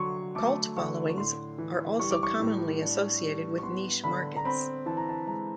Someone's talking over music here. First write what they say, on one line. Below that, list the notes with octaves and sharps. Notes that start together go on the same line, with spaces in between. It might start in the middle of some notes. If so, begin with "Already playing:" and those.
Cult followings are also commonly associated with niche markets.
Already playing: D3 F#3 C6 C#6
A3 D6
D3 C#6
C#6
A2 C6
E3
G3 C#6
D6
C#6
A2
D4
G3
C#6
B3 C6
D3 B5
A#5
C4 B5
E3 A5
A#5
A5
G#3 A#5